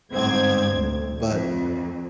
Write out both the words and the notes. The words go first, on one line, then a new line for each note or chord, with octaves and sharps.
um, but
G1 C4 G#6
D2
F2